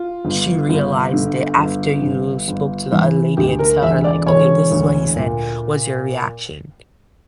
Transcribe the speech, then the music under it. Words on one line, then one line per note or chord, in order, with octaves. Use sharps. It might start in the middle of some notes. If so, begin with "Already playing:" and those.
she realized it after you spoke to the other lady and tell her like, "Okay, this is what he said. What's your reaction?"
Already playing: F4
G1
G1
D3
G1
G1
G1
E3
D2 G4
A#4
E1 E5
D5
E1 C#5
D2
A#2